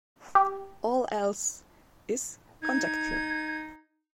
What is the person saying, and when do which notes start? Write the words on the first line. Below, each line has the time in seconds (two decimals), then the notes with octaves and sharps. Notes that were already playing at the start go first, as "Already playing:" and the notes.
All else is conjecture.
0.35 G4
2.63 D#4 G#6